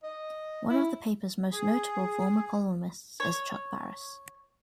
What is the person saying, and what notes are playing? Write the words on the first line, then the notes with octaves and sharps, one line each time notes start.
One of the paper's most notable former columnists is Chuck Barris.
D#5
E4
G#4
C#5